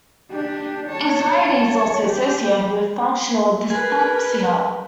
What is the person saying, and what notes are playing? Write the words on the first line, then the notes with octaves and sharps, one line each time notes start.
Anxiety is also associated with functional dyspepsia.
D4 G4
C#5 A5
G4
G#4 A#4 B4